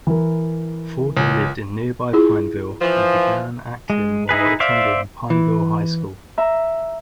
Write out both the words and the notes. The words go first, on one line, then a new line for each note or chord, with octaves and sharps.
Ford lived in nearby Pineville and began acting while attending Pineville High School.
E3 A#4
C#2
E4 F4 G#4
E3 F3
G#3
D#4 E4 G#4 B4
C5 D5 E5 F5
E3
E5 A#5